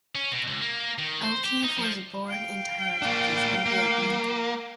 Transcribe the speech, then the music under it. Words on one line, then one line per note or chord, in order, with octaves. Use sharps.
Eltife was born in Tyler, Texas, and grew up there.
C#4
B2
C#2
A#3
D#3
C5
G4
D#4
F3
F5 G5
A#3 D4
A#3